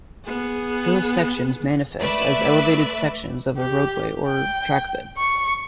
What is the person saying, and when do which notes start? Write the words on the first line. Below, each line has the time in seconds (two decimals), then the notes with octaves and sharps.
Fill sections manifest as elevated sections of a roadway or trackbed.
0.25 B3 G#4
1.99 A3 B4 D5 E5 B5
3.58 G4
4.26 G5
5.18 C#6